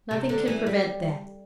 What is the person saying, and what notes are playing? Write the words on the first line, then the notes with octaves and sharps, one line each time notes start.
Nothing can prevent that.
C3
D3
E3
G3